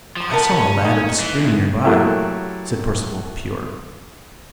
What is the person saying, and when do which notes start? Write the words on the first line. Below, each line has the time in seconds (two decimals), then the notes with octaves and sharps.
"I saw a lad at the spring near by," said Percival the Pure.
0.17 F3
0.31 A3 B3 A#4 A5
0.51 C#4
0.84 D#4
1.20 E3
1.39 E2 G#2
1.84 F#3 A3 A#3 E4 G4